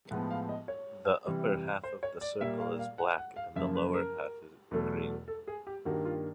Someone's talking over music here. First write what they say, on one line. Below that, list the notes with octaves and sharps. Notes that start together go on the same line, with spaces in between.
The upper half of the circle is black and the lower half green.
A2 F3 G#3 B3 F#5
F5
D#5
C#5
C3 E3 G3
C5
C#5
D5
A#2 G3 A#3 E5
F5
F5
F#5
F#5
F5
F#2 C#3 F3 A#3 E5
B4
A#4
E2 B2 F#3 A3
A4
G#4
G4
G2 D#3 G3 A#3 F#4
F4